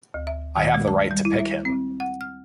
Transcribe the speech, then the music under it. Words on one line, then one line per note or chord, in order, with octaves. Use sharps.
I have the right to pick him.
D2
E5
D#3
G#3
A5
G3
E4
E5
C4
F#5
F6